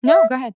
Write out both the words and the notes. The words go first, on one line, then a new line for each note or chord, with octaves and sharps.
No. Go ahead.
E5